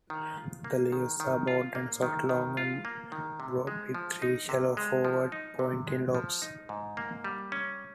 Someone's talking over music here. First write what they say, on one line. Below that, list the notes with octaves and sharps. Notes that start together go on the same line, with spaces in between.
The leaves are broad and soft, long and broad, with three shallow forward-pointing lobes.
D#3
F4
A#3
D#3
D#3
F4
A#3
D#3
D#3
F4
A#3
D#3
C3
G#3
F3
D#4
C3
G#3
F3
D#4
C3
G#3
F3
D#4
G#2
A#3
G3
C#4